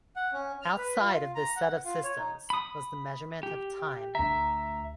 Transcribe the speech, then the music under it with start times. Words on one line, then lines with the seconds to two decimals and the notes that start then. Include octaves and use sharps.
Outside of this set of systems was the measurement of time.
0.16 F#5
0.33 C#4
0.62 F6
0.78 B4
1.00 F4
1.35 A#5
1.56 F#5
1.85 F4
2.04 C#5
2.18 D#4
2.50 B5 D#6
3.43 G4
4.15 D2 E5 A#5